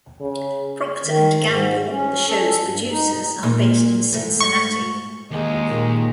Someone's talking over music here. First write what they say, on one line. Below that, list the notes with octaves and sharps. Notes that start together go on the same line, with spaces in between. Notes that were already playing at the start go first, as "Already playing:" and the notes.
Procter and Gamble, the show's producers, are based in Cincinnati.
C#3
D#3
G#2
C#4
A4
G2
D#4
A#2 G#3 D#4
G#2 A3
C#6
D#2 G#3
A#2 D#3